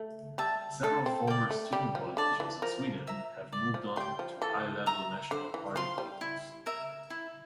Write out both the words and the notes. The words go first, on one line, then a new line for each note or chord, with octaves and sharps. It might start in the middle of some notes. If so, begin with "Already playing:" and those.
Several former student politicians in Sweden have moved on to high-level national party politics.
Already playing: A3
G3 E5 A5
A3 A4
C4
A#3 D5 G5
A3
G3 G4
F3
D3 D5 A5
E3
F3 A#4
E5 A#5
D5
F3
G3 G5 C6
F3
E3 A4
E5 A#5
D3 C5
E3
F3 F5 C6
G3
E4
A#4 E5
E4